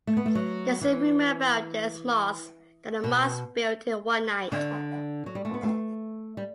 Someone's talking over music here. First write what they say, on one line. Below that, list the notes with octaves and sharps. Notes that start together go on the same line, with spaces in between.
There is a rumour about this mosque that the mosque built in one night.
A3
B3
A3
F#3
E3
B2
D3
F#3
G3
A3
B3
A3
G3